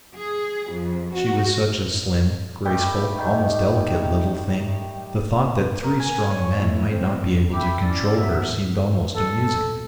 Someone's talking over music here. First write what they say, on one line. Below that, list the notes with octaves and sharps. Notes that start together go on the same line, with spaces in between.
She was such a slim, graceful, almost delicate little thing; the thought that three strong men might not be able to control her seemed almost amusing.
G#4
F2
F#4
G3 A3 G4
D#3
A#4
G#5
C#5
A2
C4
E5 G5 B5 D6
C#4 E4 A4 D5
F3 B3 F#4 A4 A#4 E5
A4